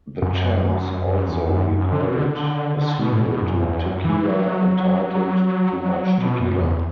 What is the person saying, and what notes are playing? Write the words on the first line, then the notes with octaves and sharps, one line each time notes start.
The Champs also recorded a sequel to Tequila entitled "Too Much Tequila".
F#2
F#2
F#2
E2
F#2
F#2
D3
B2
D3
D3
B2
A2
B2
F#2
E2
F#2
E3
F#3
B2
F#2
E2